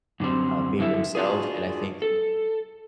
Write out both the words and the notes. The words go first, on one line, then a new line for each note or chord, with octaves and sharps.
uh, being themselves, and I think
F#2 D3 G3 C4
F#2 D3 E4 E5
D4 F4 F#4 G#4
A4